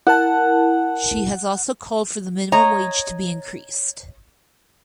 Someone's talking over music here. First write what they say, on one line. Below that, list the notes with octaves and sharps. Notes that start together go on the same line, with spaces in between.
She has also called for the minimum wage to be increased.
E4 A#4 F#5 A5
C#5 D#5 A#5